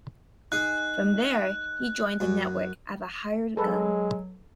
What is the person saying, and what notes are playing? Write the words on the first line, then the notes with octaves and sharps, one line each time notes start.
From there, he joined The Network as a "hired gun".
D#4 G#4 F#6
F#2
F#3 G#3 A4 B4